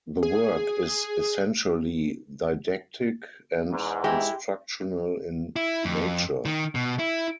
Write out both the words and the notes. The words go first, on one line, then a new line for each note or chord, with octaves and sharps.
The work is essentially didactic and instructional in nature.
G#4
E2 G#2
G#3 E4 G4
E4
F2
D#3
B2
E4